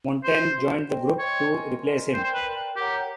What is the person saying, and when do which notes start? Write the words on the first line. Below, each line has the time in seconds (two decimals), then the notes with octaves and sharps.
Montaigne joined the group to replace him.
0.24 F#4 B4 C5 E5
0.55 F#4 B4 E5
0.87 C5 D#5 G5 C6
1.19 C5 C#5 D#5 G5 C6
1.50 A#4 D#5 G#5 C6
1.81 A#4 D#5 G#5 C6
2.13 A#4 C5 D5 G5
2.24 C5
2.34 B4
2.45 A#4 D5 G5
2.76 G4 A#4 C#5 F#5 A#5